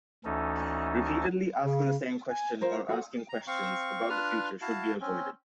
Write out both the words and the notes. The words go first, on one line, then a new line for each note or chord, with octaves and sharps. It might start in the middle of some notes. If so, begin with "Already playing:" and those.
Repeatedly asking the same question or asking questions about the future should be avoided.
D2 E3 C#4 D#4 A4
C#3
G#5
F4 A#4 C5
F#4 A4 B4 F#5
A#5
C4 F5 C#6
D4 F4 B4 F6
E4 F#4 F5 A5
C4 C#4